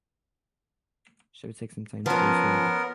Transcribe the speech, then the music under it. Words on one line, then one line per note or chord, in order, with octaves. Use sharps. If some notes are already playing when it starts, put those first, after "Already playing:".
She would take some time to persuade.
F3 B3 C#4 A#4